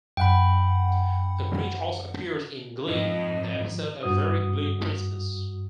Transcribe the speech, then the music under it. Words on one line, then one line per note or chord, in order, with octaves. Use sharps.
The Grinch also appears in "Glee" in the episode "A Very Glee Christmas".
F#2 F#5 G5 B5
F2 G#2 F3 D#5
G2 F#4 D#6